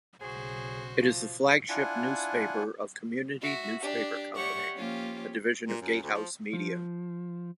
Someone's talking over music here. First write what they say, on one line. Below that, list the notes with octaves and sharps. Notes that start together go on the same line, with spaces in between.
It is the flagship newspaper of Community Newspaper Company, a division of GateHouse Media.
B1 C#3 F#4 G#4 C5
F3
D4 E4 F4 F#5 G#5
F#4 E5
D4 G4
G4 C#5 D5 E5 F#5 C#6
F3 A#3 C#4 F4 G4
A#2
F#2
D2
F3
F3